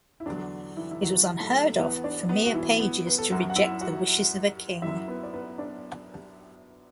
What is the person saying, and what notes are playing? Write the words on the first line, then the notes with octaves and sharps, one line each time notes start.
It was unheard of for mere pages to reject the wishes of a king.
E4
E2 D3 F#3 D4
E3 E4
E4
F#3 F#4
A3 A4
E2 E3 B3 B4
D4 D5
B3 B4
F#4
E3 E4
B3
B4
A4
F#2 F#3 F#4
F#5
E4 E5
F#4 F#5
F#2 F#3 E4 E5
B3 B4
D5
B3 B4
D4 D5